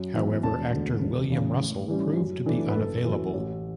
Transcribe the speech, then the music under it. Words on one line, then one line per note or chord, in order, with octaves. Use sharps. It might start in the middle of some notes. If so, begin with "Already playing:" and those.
However, actor William Russell proved to be unavailable.
Already playing: F#2
E3 B3
E1 A5
D2 D3
E1
E2 C#3
A2
E3 G3 C#4
F#2
E3 A3 D4
B4
F#1 A4
F#2 E3
A1